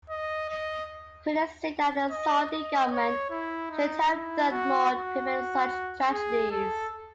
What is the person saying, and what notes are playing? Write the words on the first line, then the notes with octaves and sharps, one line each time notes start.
Critics say that the Saudi government should have done more to prevent such tragedies.
D#5
D#5
D#5
D#5
C#5
E4
D#4
E4
F#4
F#4
G#4
A4